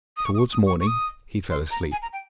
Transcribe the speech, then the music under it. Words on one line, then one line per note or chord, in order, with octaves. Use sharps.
Towards morning he fell asleep.
D#6
C#6
D#6
C#6
D#6
C#6
C#6
D#6
C6
A#5
G#5
A#5
G5